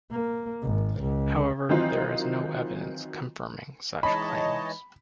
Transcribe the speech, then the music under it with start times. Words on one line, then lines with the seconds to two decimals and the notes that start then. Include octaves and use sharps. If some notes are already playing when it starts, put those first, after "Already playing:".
However, there is no evidence confirming such claims.
0.11 A#3
0.63 G#1
1.01 C#2
1.69 D#3 E3 F#3 C4 D#4 F4
4.03 E3 G#3 D#4 C#5 D#5 A5 B5